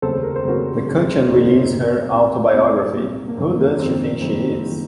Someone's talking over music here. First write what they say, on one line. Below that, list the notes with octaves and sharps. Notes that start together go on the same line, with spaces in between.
McCutcheon released her autobiography, Who Does She Think She Is?
F1 D#2 C#3 A4 C5
A#4
C5
F1 D#2 C#3 F#4 A#4
F1 D#2 C#3
F1 D#2 C#3 C4 D#4
C4
A#3 C#4
C4
C2 A#2
C2 A#2
C2 A#2 A#3
C2 A#2
A#3
F#1 F2 D#3 C4
A#3
F#1 F2 D#3 C4
C4
F#1 F2 D#3 C4
D#3